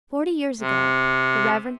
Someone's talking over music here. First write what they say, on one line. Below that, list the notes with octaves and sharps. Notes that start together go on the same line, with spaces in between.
Forty years ago, the Rev.
C3